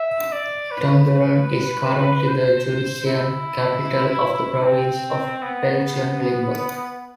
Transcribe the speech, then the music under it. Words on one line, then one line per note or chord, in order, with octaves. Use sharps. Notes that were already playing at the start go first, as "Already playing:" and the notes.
Tongeren is currently the judicial capital of the province of Belgian Limburg.
Already playing: E5
D5
B4
C5
E4
C4
B3